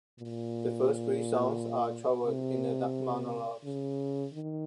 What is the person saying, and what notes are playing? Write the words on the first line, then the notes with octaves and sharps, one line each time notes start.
The first three songs are troubled inner monologues.
A#2
C3
C#3
D#3